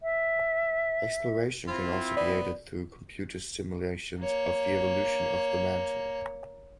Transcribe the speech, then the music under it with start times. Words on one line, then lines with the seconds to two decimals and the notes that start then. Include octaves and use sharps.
Exploration can also be aided through computer simulations of the evolution of the mantle.
0.03 E5
1.68 C4 E4 F4
2.17 B3 D5
4.20 A#3 C#5